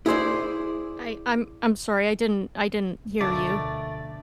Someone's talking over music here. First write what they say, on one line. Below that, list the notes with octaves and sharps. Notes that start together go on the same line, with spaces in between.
I I'm I'm sorry, I didn't I didn't hear you.
E4 G#4 C5 D5
D2 B2 D3 F3 A3 A#3 D5